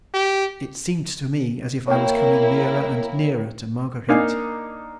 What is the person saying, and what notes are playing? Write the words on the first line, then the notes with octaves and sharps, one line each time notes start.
It seemed to me as if I was coming nearer and nearer to Marguerite.
G4
A#3 E4 A#4 C#5 G5
A#3 D4 D#4 F5 G#5